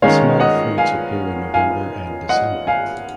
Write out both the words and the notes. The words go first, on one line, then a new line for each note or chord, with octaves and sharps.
The small fruits appear in November and December.
D#3 G#3 C#4 C#5 F5
D#5 F#5
F5 G#5
F5 G#5
D#5 F#5
F5 G#5